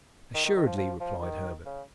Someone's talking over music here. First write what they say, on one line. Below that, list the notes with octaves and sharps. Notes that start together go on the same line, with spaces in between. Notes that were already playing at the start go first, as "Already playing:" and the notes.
"Assuredly," replied Herbert.
D#3
D#3
D#3
F3
F3
F3
D#3
C#3